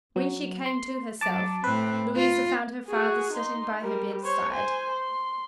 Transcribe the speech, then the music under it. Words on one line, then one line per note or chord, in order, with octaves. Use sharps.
When she came to herself, Louisa found her father sitting by her bedside.
F#3
C6
F#3 A5 D6
A2 C4 B4
F4
F#4 G#4
D#4 C6
G3 A#4
C5 C#5
C5 G#5
C6